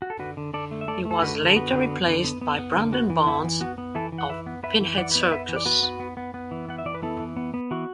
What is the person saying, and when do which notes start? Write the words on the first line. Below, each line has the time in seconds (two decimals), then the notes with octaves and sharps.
He was later replaced by Brandon Barnes of "Pinhead Circus".
0.02 F#4
0.10 A4
0.19 D3 F#4 B4
0.37 D3
0.54 D3 A4 D5
0.71 A3
0.81 E5
0.88 A3 A4 D5
1.05 A3
1.11 A4
1.22 D3 F#4 B4
1.39 D3
1.46 A4
1.56 B3 F#4 B4
1.73 D3
1.90 B3
2.08 D3
2.24 B3
2.41 B3
2.59 B3
2.76 D3
2.92 B3 F#4
3.10 E3
3.27 B3 E4
3.44 E3
3.60 B3 F#4
3.78 B3
3.95 E3 E4 A4
4.12 E3
4.18 F#5
4.29 E3 B4 E5
4.46 B3
4.63 B3 B4 E5
4.81 E3
4.97 E3 D5 F#5
5.11 B3 B4
5.22 D5
5.32 B3 B4 E5
5.49 E3
5.56 D5
5.66 B3 F#4 B4
5.83 B3
6.00 B3
6.17 B3
6.34 B3
6.51 E3
6.69 B3 F#5
6.78 E5
6.85 E3 D5
6.95 B4
7.03 B3 E4 A4
7.20 E3
7.36 B3
7.54 B3
7.71 E3 F#4